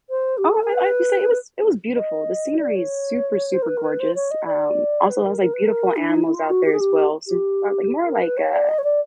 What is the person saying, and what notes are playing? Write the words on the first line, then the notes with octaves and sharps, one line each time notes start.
Oh, I I'd say it was it was beautiful; the scenery is super, super gorgeous. Um, also, I was like beautiful animals out there as well. So more like more like a,
C5
G4
G#4
A4
A#4
B4
D#5
D5
C#5
C5
A#4
B4
A#4
B4
C5
C#5
D#5
D5
B4
A#4
A#4
B4
A#4
D4
D#4
E4
F4
F#4
G4
G#4
G4
G4
A#4
B4
C#5
D5
D#5
C#5
D5